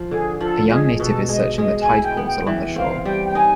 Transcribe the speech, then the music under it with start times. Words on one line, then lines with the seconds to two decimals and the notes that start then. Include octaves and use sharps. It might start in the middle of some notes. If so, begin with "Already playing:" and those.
A young native is searching the tide pools along the shore.
Already playing: F3
0.10 D3 G#4
0.41 F3 A4
0.70 G#3 G#4
1.00 B2 A4
1.29 G#3 D#5
1.58 G#3 D#5
1.81 G#5
1.88 E4
2.02 G5
2.17 B3
2.24 G5
2.47 E3
2.76 C4 F5
3.05 G3 G5
3.25 G5
3.35 D#4 G#5